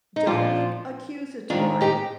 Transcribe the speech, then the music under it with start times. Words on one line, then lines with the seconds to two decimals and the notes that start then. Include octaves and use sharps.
don't be c accusatory,
0.16 D#4
0.27 A#2 F3 D4 F4
1.50 G#2 D#3 D4 F4
1.81 D#4 G4